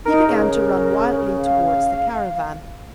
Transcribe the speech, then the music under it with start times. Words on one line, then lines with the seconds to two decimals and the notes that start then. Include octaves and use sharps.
He began to run wildly towards the caravan.
0.06 D#4 A#4
0.29 C#3 A#4
1.39 F5